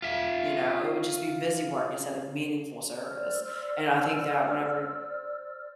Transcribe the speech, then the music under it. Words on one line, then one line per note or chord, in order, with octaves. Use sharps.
you know? It would just be busy work instead of meaningful service, and I think that whenever
F4 E5
C5 D5 E6 F6